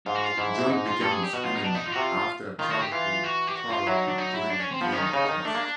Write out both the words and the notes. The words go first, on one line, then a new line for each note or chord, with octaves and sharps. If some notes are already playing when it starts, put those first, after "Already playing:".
John became his enemy after a childhood quarrel during a game of chess.
G#2 F4
F#4
F4
G#2 E4
G#2 D#4
F4
G2 A4
G#4
G4
B2 F#4
F4
D#4
D4
D#4
F4
C3 F#4
F4
D#3 F4
F#4
G4
E3 F4
F#4
G4
F#4
F4
F#3 E4
D#4
D4
D#4
E4
D4
C#4
C4
F3 B3
C#4
D#3 D#4
C#3
D#3
A3 D4
A#3